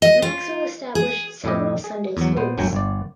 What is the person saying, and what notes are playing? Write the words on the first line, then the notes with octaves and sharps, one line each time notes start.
Maxwell established several Sunday Schools.
D#5
F4
G#4
F2 A2 E4 G4 D#5
G#4
E2 F#3
A#2 B3 C5
G1 D2 F#3 G5 G#5 A#5
G1 D5